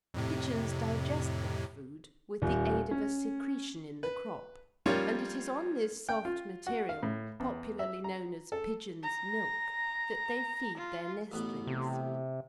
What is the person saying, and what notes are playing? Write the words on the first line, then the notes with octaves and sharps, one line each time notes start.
Pigeons digest their food with the aid of a secretion in the crop, and it is on this soft material, popularly known as "pigeons' milk," that they feed their nestlings.
F2 A2 C3
D#1
C#4
B4
F3 G3 A#3 C#4 F4 C#5
G5
F4
F#4
F5
A2
E2
E5
A#5
A4
A#5
F4
A1 B2 B3
C3